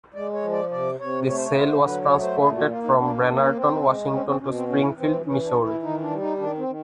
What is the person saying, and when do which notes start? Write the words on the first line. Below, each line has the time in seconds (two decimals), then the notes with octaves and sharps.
The sail was transported from Brenerton Washington to Springfield Missouri.
0.14 G#3 D5
0.33 C#5
0.42 F3
0.52 D5
0.71 C3 D5
1.00 C3 C#5
1.27 A3 C#5
1.36 C5
1.45 C#5
1.56 D3 C5
1.85 F#3 B4
2.03 C#5
2.13 A3
2.22 C5
2.41 A#2 G#4
2.56 F#4
2.70 A#3 F4
2.84 D#4
2.98 A#3 D4
3.17 D4
3.27 A#3
3.36 C#4
3.55 C4
3.84 G#3
4.11 C4 C#4
4.26 C4
4.40 B2 C#4
4.54 C4
4.68 E3 C#4
4.97 E3 C4
5.25 E3 C#4
5.44 D4
5.54 E3
5.63 E4
5.82 D#3 D#4
6.01 D4
6.10 G3
6.20 D#4
6.38 D#3 D4
6.58 C4
6.67 D#3